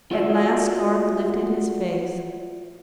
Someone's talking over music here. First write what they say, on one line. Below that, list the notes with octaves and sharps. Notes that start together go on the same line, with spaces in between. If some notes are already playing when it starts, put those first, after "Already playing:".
At last Garth lifted his face.
F4 F#4 D5 E5